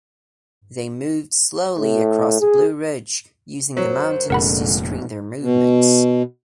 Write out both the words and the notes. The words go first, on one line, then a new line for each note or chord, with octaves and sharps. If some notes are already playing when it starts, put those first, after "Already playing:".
They moved slowly across the Blue Ridge, using the mountains to screen their movements.
A2
G#4
F#2 F#3 A#4 C5
F1 A#2 D3 G#3 A#4 F#5 B5
B2